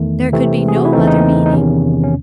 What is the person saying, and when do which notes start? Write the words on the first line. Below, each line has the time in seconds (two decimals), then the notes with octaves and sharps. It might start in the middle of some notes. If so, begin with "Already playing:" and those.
There could be no other meaning.
Already playing: E2 D#3 A3
0.33 C3 E3 A3 C4
0.68 G#4
0.77 F#4
0.85 E4
0.93 E2 C#3 E3 A3 C4 D#4
1.07 D#4
1.46 D#4
1.53 E2 C3 D#3 C#4
2.03 C#4